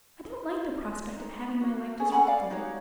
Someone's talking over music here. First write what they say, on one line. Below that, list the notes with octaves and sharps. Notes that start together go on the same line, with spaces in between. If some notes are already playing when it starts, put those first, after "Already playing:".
I don't like the prospect of having my life disrupted.
D#4
F#4
C#4 G#4 A4
A4 F#5 G#5 B5
D5 F5
D#4 F#4 G4 C#5